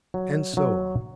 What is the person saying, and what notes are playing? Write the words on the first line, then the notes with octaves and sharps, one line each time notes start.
And so on.
F#3
F#3